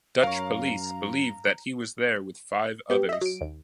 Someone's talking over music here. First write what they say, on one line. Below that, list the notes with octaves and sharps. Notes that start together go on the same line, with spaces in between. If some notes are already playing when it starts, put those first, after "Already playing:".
Dutch police believe that he was there with five others.
F#2 A#4 C#5 F5 A#5
B3 G4
D#5 E5
F#3 D7
D#2